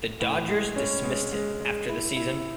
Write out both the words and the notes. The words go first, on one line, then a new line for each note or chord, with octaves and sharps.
The Dodgers dismissed him after the season.
A2
G#3
C#4
G#3
G#3
G#3
E4
E4